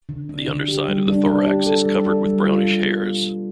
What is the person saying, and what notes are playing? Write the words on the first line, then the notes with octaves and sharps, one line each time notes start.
The underside of the thorax is covered with brownish hairs.
D3
D4
D3
G4
G3
D4
D4
G4
A4
G3
A4
G3
F4
G3
B3
B3
B3